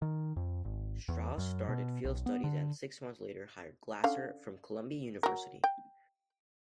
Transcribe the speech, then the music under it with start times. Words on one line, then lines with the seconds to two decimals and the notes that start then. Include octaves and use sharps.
Strauss started field studies and six months later hired Glaser from Columbia University.
0.02 D#3
0.36 F2
0.65 G#1
1.08 E2
1.38 F#2
1.69 B2
2.05 B1
2.26 B3
2.44 D3
4.04 D3 C#4 F5
5.23 F#3 A#4
5.64 G5